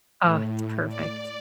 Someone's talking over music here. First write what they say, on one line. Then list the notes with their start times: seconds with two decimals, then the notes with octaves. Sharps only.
Oh, it's perfect.
0.23 A2
0.89 D5